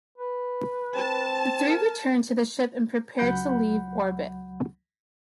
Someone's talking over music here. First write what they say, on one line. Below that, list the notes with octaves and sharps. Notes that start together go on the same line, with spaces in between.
The three return to the ship and prepare to leave orbit.
B4
C4 A5
A#4
C#2 F#3 F#5 B5 G6